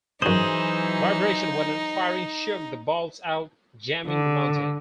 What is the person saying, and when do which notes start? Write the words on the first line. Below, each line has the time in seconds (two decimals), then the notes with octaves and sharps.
Vibration when firing shook the balls out, jamming the mounting.
0.22 F#2 E3 F#3 D#4 G#4 C5 D#6
4.07 D3